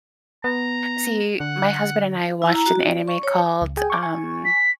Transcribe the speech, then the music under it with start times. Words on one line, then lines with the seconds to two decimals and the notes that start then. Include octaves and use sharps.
See, my husband and I watched an anime called, um,
0.44 B3 A#5
1.40 D3 F#5
2.42 E4
2.54 A#5
2.66 F#4
2.80 D5
3.08 C#6
3.23 C#5
3.62 C#2
3.77 G#4 G5 G#5
3.90 C#6 D6
4.03 G#5 C#6
4.45 B6